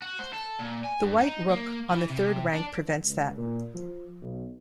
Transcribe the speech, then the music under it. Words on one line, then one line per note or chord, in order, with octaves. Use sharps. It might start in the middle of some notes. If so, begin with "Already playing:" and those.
The white rook on the third rank prevents that.
F#4
C5
A4
A#2
G#5
G2
D#4
A#3
E3
C3
D4
C#2
A#2
F3
B1